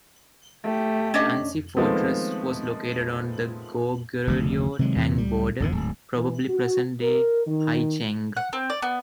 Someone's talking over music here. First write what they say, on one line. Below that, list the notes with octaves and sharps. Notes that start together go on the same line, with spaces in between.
Ansi Fortress was located on the Goguryeo-Tang border, probably present-day Haicheng.
A3 G4
C#4 D4 D#5
D#3 F3 G#3 A3 B3 C4
F1 D2 C#3
C3 D#3 F#3 G#3
E2 C3 E3
C#2 G3
G#1 E2 D3
D1 G#2
E3
F#4
A#4
D#3
F#5
C4
D5
B3